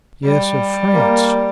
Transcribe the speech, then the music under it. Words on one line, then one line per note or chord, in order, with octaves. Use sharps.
Yes, of France.
G3
A#3